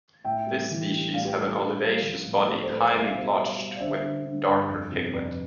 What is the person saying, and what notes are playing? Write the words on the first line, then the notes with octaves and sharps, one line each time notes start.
This species have an olivaceous body, highly blotched with darker pigment.
A2 E5 G5
G3
E3
G3
A2 D5 F5
G4 B4
G3 A4
G4 B4
G3 G4 B4
G3
F3
A2
A2 G4 B4
A4 C5
A2
B4 D5
G3 E5
F5
B2 C5 E5
G3
G3
D5
D3 C5 E5
D3
D3
G2
F2
C3
F2 B4 D5